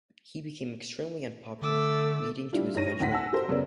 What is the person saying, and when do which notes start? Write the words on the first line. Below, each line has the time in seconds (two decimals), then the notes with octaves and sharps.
He became extremely unpopular, leading to his eventual recall.
1.62 D3 A3 A4 D6 E6
2.53 G3 D4 E4 F4
2.75 G2 D#4 C#5 A#6 D#7
2.99 G#1 D2 A2 F#5 A#6 B6
3.11 F#5 G#5 A5 E6
3.32 F#4 G4 A4 A#4 C5
3.48 F#2 C#3 B3 C#4 A#4 D5